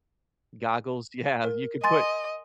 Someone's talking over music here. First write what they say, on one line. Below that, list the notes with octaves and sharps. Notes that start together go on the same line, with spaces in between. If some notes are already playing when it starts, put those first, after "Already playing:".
goggles Yeah you could put
A#4
D#5 G#5 C6 A6